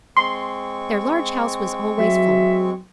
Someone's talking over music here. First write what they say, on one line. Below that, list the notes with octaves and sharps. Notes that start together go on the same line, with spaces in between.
Their large house was always full.
G#3 C4 C6 C#6
F#3 E5